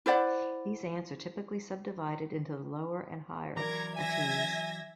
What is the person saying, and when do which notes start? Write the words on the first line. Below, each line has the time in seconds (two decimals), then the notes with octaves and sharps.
These ants are typically subdivided into the "lower" and "higher" attines.
0.06 E4 C5 D5 F#5
3.57 E3 F#3 A#4 D5 A#5 G#6
3.96 E5 G#5 G#6 A#6